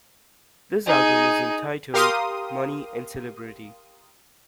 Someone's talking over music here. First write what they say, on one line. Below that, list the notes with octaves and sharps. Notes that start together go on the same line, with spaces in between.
This album is entitled "Money and Celebrity".
D#4 G#4
G4 A#4 F5 C6 D#6